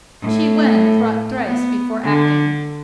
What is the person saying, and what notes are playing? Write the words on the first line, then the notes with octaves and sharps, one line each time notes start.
Chi Wen thought thrice before acting.
A2
B3
D3